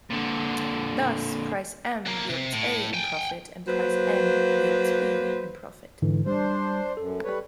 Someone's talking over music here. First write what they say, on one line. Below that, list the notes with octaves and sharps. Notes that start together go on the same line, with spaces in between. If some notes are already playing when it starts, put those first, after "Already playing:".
Thus price M yields A in profit and price N yields B in profit.
A#2 D3
C2 A#3
C3
A2
G5 G#5
F#3 A#3 B4 C5
G#2 D3 E3
G3 D4 C5
F#2 A4
G3 B4 C#5